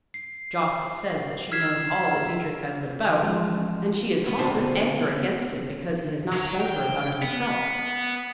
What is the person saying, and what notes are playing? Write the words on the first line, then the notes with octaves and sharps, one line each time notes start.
Jost says that she knows all that Dietrich has been about, and she is hot with anger against him because he has not told her about it himself.
C7
E6 F6 G#6 B6 C7 E7
A1 F3 G#3
B3 F#4
B2 D3 C4 A5
F#3
G5
B3